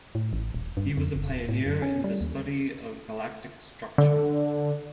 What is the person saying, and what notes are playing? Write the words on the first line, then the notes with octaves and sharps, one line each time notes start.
He was a pioneer in the study of galactic structure.
A2
A1
D#1
G2
F2
G1
D1
A2
F#2
C#4
G3
D#2
D3